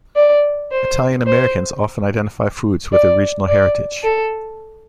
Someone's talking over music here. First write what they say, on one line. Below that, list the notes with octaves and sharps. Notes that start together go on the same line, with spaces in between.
Italian-Americans often identify foods with their regional heritage.
D5
C5
C5
D5
D5
A4